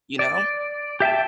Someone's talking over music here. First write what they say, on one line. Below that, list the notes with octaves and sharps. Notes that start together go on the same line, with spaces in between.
you know?
D5
G4 E5 G5 A5